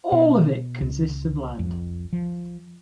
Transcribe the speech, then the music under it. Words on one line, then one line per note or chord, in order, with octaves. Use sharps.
All of it consists of land.
B2
C#2
F2
F3